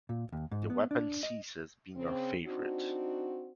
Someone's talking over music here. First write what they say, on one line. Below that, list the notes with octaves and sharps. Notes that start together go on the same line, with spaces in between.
The weapon ceases being your favorite.
A#2
D#2
G#2
B3
D4
D#5
C#3 C4
C4 D4 D#4 F#4